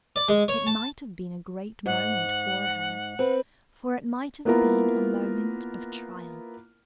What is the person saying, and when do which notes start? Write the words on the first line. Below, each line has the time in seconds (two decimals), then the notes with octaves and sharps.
It might have been a great moment for her, for it might have been a moment of triumph.
0.16 D5
0.28 G#3
0.48 C#5
0.67 A5
1.86 G#2 F#5
3.19 C4 B4
4.45 A#3 B3 E4 F4 A#4